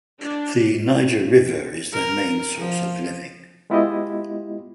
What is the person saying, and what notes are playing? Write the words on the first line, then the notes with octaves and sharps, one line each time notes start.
The Niger River is their main source of living.
D4
A#4
F3
G#3 B3 E4 F4 G4 D#5